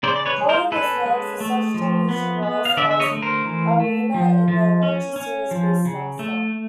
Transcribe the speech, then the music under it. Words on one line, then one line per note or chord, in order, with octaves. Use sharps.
Holden is known for such television roles as Arina in the adventure series "BeastMaster".
C#3 C5 D5
D5
B4 C#5
G#3
A#4 C5
C#4 A4 B4
G#3
A3
F3
B3
B3
F5
D3 D5 E5
E5
C#5 D#5
A3
A#4 C5
E3
A3
F3
F3
C#4
C#4
F3
C#3
A3